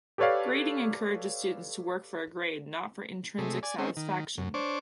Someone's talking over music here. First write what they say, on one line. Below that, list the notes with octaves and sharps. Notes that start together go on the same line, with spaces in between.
Grading encourages students to work for a grade and not for intrinsic satisfaction.
G4 A4 B4 C#5 D5 F5
C3 G#3 A3
D5 G#5
G#3 C4 C#4
D#3
F#2
D4 C5 C#5 D6